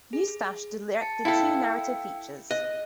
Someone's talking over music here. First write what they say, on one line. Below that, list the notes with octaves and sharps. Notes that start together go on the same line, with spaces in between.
Eustache directed two narrative features.
G#4
A5 A6 C#7
E4 A4 F5 G5 E6
D#5 F#6